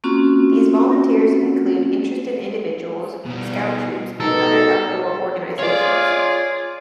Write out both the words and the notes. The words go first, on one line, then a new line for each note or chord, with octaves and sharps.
These volunteers include interested individuals, scout troops, and other outdoor organizations.
A#3 C4 C#4 F4 F#4
B2 G3
B2 D#4 A4 A#4
F4 G#4 C#5 D5